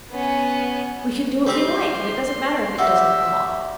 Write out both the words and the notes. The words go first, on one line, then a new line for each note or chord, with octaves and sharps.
We can do what we like, and it doesn't matter if it doesn't come off.
B3 C#4
G3 C4 G4 C6
G3 F#4 D5 E5